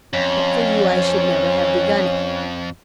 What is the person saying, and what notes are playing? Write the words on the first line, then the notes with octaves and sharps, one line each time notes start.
But for you I should never have begun it.
F2 C#4